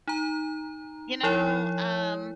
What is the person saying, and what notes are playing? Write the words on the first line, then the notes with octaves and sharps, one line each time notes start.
You know, um
D#4 A#5
F3 E4 C#5